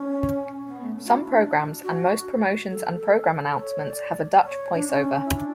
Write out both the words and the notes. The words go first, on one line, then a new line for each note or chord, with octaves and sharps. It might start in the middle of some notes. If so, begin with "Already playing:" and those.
Some programs and most promotions and program announcements have a Dutch voice-over.
Already playing: C#4
B3
A3
C#4
F#4
E4
D4
F#4
A4
A4
C#5
D5
C#5
D4
C#4
E4
D4